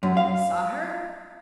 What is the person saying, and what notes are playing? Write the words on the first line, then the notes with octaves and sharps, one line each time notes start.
"Saw her?"
F#2
F5